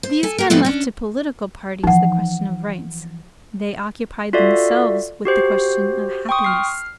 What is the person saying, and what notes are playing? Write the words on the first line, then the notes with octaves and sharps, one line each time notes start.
These men left to political parties the question of rights, they occupied themselves with the question of happiness.
C5
A4 G#5
A#3 A#4
G#2 F3 G3 A3 B3 C4
C#4 D4
E3 F3 D#4 F#5
F4 F#4 A4 D5 E5
F#4 G4 C5
G5 C6 C#6 D#6
F6 C7